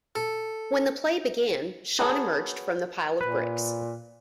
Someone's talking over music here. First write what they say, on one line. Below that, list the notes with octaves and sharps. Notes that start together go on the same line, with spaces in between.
When the play began, Shawn emerged from the pile of bricks.
A4
F#3 B3 G#4 A4
A#2 B4